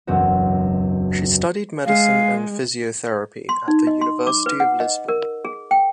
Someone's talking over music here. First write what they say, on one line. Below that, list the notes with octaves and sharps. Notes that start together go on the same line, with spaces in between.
She studied medicine and physiotherapy at the University of Lisbon.
E1 C#2 F#2 F#3 C4 F#4
G#3 F5
C6
D#4
D#5
C6
D6
B4
F#5
D#5
A#4
G#4
G5